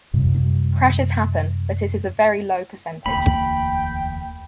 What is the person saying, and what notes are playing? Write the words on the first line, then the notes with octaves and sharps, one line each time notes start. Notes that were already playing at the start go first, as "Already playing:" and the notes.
Crashes happen but it is a very low percentage.
F#2 C3 G3
E1 D2 A#3 G5 B5